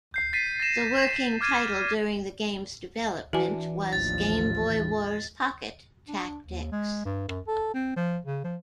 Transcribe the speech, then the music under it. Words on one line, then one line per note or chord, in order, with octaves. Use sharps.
The working title during the game's development was "Game Boy Wars Pocket Tactics".
G6 C7
A6 B6 C7 D#7
A6 A#6 E7
D6 F6 G#6 A6 D#7
E3 D4 F#4 G#5
A1 D#2 F3 A6
D4
D#2
G#3
G2
F#2
A4
C4
F3
C#3
F3